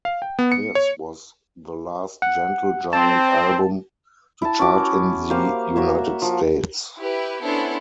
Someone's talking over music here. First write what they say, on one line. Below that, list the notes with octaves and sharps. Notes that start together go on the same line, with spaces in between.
This was the last Gentle Giant album to chart in the United States.
F5
G5
B3
C#7
C#5
F#5
C4 A5
E4 A5
C#4 F#4 D6
A#3 G4 C5 F5
F#4 C#5 E5
F3
E4 G4 B4
B3 C#4 D4 E4 A4 C5